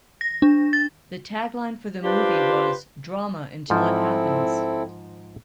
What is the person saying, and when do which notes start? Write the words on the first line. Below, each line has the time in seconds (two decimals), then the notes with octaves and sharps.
The tagline for the movie was, "Drama, until it happens".
0.21 A#6
0.42 D4
0.73 A6
2.03 D4 F4 G4 B4 C5
3.70 G#2 F3 C4 E4 A4